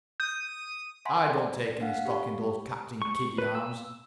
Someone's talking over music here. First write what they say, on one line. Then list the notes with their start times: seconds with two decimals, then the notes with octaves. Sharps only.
I don't take any stock in those Captain Kidd yarns.
0.20 D#6 G6
1.05 E5 F#5 G#5 B5 C6 B6
1.37 D5
1.80 D4 F5 F#5
2.05 G4 B5 C#6
3.02 C#6
3.38 B4
3.55 E6